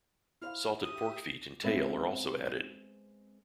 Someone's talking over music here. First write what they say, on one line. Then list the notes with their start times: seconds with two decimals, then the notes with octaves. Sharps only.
Salted pork feet and tail are also added.
0.41 E4 C5 F5 F6
0.83 G4 E5 D#6
1.64 G#3 B3 C4 B4 C5 E5